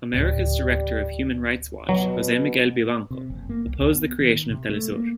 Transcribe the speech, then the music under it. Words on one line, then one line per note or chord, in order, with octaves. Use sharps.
Americas director of Human Rights Watch, Jose Miguel Vivanco, opposed the creation of Telesur.
D1 C#2 G3
B2 F#3
C3
F#1
A#3
C2
C#2
B3
D#3
C3
A3
A#3